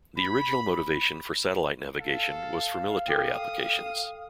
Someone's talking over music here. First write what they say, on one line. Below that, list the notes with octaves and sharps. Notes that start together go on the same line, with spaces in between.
The original motivation for satellite navigation was for military applications.
B5
A4 F5
A4 G5 D#6